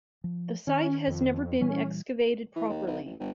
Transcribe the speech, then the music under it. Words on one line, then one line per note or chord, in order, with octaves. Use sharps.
The site has never been excavated properly.
F3
D#3 C#4
F2
A#2 E3 G3 C#4
E3
D#2
B1
A1
G1